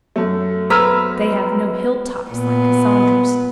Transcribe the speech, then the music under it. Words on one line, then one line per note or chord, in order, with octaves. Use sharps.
They have no hilltops like Cassandra's.
F#2 A3
B3 B4 C5 A#5 E6 F6
A#2 B3